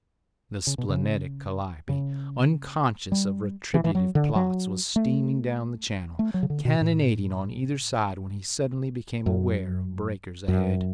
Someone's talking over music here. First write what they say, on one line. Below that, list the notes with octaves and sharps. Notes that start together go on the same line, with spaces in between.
The splenetic Calliope, unconscious of retributive plots, was steaming down the channel, cannonading on either side, when he suddenly became aware of breakers ahead.
C#3
B2
C#3
C#3
G3
E3
E3
F#3
D3
F#3
A3
A3
F#3
C#3
D3
B2
A2
F#2
F#2